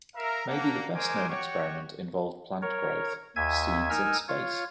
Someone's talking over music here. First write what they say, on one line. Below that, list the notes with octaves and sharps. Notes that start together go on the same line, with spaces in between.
Maybe the best-known experiment involved plant growth: "Seeds in Space".
A#4 E5 F5
A#3 D4 F#5
G#3 A#4 C5 C#5 G#5 D6
F#4 G4 C#5 F#5 C#6 D6
A#4 C#5
D#2 E5 G#5 G#6
D#4 A#4 G#5 E6 F6
F4 C#5